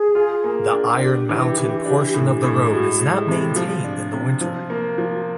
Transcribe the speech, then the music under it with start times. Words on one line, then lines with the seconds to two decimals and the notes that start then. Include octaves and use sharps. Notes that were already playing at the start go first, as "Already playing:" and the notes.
The Iron Mountain portion of the road is not maintained in the winter.
Already playing: G#4
0.15 F4
0.44 A#3
0.72 D4
1.01 D4 G4
1.29 E3
1.58 E3
1.86 D4
2.14 A2
2.43 A2
2.71 G#3 F#4
2.92 G#4
3.00 G#3
3.13 G4
3.28 C3
3.36 G4
3.56 F3
3.84 D4
4.13 C3
4.41 F3
4.70 A#3
4.98 F3